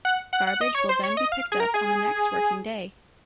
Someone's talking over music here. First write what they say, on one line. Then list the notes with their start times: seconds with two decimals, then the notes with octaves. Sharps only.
Garbage will then be picked up on the next working day.
0.05 F#5
0.33 F#5
0.47 F#5
0.61 D#5
0.75 C#5
0.89 C5
1.04 C#5
1.17 D#5
1.32 F5
1.52 G#4
1.60 A#4
1.74 G#4